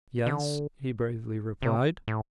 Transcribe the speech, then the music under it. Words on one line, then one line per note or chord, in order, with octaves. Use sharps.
"Yes," he bravely replied.
D3
C3
A2